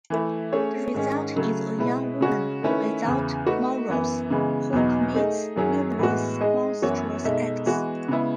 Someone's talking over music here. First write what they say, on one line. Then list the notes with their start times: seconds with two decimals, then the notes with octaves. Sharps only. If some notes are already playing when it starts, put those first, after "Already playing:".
The result is a young woman without morals, who commits numerous monstrous acts.
0.10 E3 A3 E4
0.53 A3 C#4 G#4 C#5
0.94 G#2 D#3 G#3 C#4 G#4
1.36 C#3 F#3 A3
1.79 B2 G#3 B3 E4 B4
2.21 C#3 G#3 C#4 F#4
2.62 D#3 A3 C#4 E4 B4
3.05 E2 C#3 E3
3.47 A3 D#4 F#4 B4
3.88 F#2 E3 B3
4.30 C#3 E3 G#3 B3
4.73 E2 B2 F#3 B3 D#4
5.15 A3 D#4 G#4 D#5
5.56 F#2 D#3 F#3 C#4 G#4
5.99 A2 E3 G#3 B3 F#4
6.41 G#3 D#4 G#4 D#5
6.82 F#2 E3 B3 F#4 C#5
7.24 B2 G#3 D#4 A4 E5
7.66 E3 G#3 B3 F#4
8.08 C#3 G#3 B3 E4